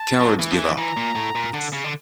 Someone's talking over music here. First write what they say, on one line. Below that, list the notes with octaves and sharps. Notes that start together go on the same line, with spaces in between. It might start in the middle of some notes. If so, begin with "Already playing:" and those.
Cowards give up.
Already playing: A5
F#3
E3
F3
E3
E3 A#5
A#2
A2
A#2
D3
C#3
D3